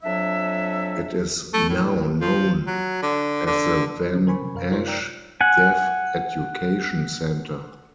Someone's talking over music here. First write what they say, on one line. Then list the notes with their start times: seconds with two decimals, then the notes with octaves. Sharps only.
It is now known as the van Asch Deaf Education Centre.
0.03 F2 F#3 D4 E5
1.54 A3
1.70 A2
2.21 F3
2.67 F#3
3.03 D3
3.46 D3
4.14 D3 G3 C#4
4.27 A#4 C5 G#5 B5 C#6
4.42 C3
4.55 F#2 A#4 F5
4.71 D#4 F4 A#4 C5 C#5
4.87 D5 G5 A#5 E6
5.41 F#5 G#5